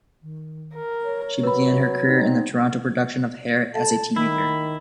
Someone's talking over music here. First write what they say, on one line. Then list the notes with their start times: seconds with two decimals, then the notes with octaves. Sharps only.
She began her career in the Toronto production of "Hair" as a teenager.
0.22 D#3
0.74 A#4
1.04 C#5
1.43 F#3 B4 B5
2.07 C4 D#4
3.75 A4 A5
4.16 D#3 E4 B5